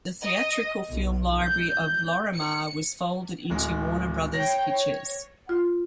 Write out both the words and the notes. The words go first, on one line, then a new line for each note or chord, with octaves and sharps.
The theatrical film library of Lorimar was folded into Warner Brothers Pictures.
D#5
B1
G6
C#7
D1 G#3
C#5 G5 A#6
C#5
F4